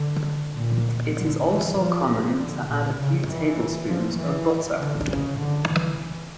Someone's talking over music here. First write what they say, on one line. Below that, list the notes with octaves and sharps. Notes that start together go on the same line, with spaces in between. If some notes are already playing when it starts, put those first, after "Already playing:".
It is also common to add a few tablespoons of butter.
Already playing: D3
A#2
D3
E3
F3
D3
A#2
C#3
E3
F3
E3
D3
C#3
D3
E3